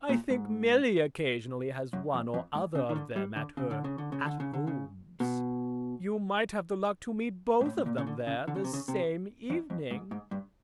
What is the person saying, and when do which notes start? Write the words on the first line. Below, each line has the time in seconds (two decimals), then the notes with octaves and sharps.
I think Milly occasionally has one or other of them at her at-homes; you might have the luck to meet both of them there the same evening.
0.09 A#2
0.30 G#2
1.93 F#2
2.14 F2
2.34 F2
2.55 G#2
2.75 C#3
2.89 D#3
2.96 D3
3.16 G3
3.36 D3
3.57 C#3
3.71 D3
3.84 C#3
3.98 D3
4.12 C#3
4.26 D3
4.40 C#3
4.54 D3
4.67 C#3
5.20 B2
7.61 G#2
7.66 A2
7.78 A2
7.86 A#2
7.98 C#3
8.07 D3
8.27 C#3
8.48 D3
8.56 C#3
8.64 C3
8.73 C#3
8.88 C3
9.50 F2
9.70 F2
9.91 G#2
10.11 G#2
10.31 G2